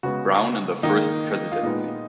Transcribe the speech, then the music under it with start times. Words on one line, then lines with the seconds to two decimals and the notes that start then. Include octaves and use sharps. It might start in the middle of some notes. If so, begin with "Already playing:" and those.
Brown in the First Presidency.
0.03 C#3 G#3 B3 F#4
0.83 D#3 A#3 D#4
1.52 F4
1.63 A#2 G#3 B3 D#4